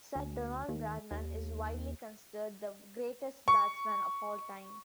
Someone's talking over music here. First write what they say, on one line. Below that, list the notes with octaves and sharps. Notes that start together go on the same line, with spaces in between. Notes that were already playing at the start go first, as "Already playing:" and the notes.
Sir Donald Bradman is widely considered the greatest batsman of all time.
D2
D#2
D#2
C#6